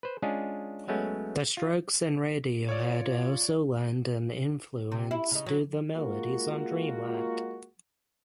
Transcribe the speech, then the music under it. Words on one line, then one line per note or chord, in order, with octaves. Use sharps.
The Strokes and Radiohead also lend an influence to the melodies on "Dreamland".
B4 C5
G#3 C#4 D4 F4 G#4
F#3 G#3 A3 B3 C#4
F4
F4 C#5 D5
C3
E4
C#3 D#4
F#3
G#3 A#3 F4 F#4